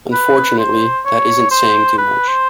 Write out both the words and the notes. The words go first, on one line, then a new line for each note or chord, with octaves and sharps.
Unfortunately, that isn't saying too much.
B4
C5
C#5
C5
B4
C5